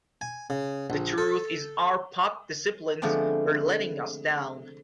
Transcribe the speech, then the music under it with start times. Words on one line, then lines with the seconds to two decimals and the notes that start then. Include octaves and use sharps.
The truth is our pop disciplines were letting us down.
0.21 G#5
0.50 C#3
0.90 A#1
1.18 A4
3.02 D3 F3 G#3 A3 B3 C4